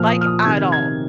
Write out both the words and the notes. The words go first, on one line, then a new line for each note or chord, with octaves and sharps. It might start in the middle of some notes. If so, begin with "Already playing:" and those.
Like, at all.
Already playing: A#2 F3 F6
D#6
F6
D#6
C3 D#3 G#6
G#6